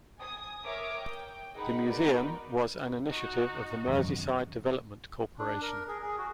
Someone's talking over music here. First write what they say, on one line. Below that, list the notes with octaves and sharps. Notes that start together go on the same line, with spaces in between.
The museum was an initiative of the Merseyside Development Corporation.
G#5 D#6
A#4 C#5 E5 D6 D#6
G5
D#4 G#4 A#4 F#5 B5
B3 D#4 F#4 A#4 B4 D5
D#4 F#4
E1 F#2 D#3
D4
A#4
G#4
G#4
F#4